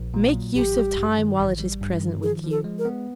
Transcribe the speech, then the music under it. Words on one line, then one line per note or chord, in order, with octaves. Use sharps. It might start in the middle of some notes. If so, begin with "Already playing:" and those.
Make use of time while it is present with you.
Already playing: A#1
A#2
F#3
A1 G4
G3
G2
D#3
A1
G3
G2
D#3
F3 G#4
F3
A4
G#3
A#4
B3